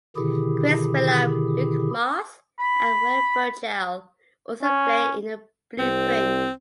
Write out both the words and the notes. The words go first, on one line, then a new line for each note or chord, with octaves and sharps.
Chris Billam, Luke Moss and Will Burchell also play in The Blueprint.
B2 D3 D#3 E4 G4 G#4
B5
C#4
C2 C4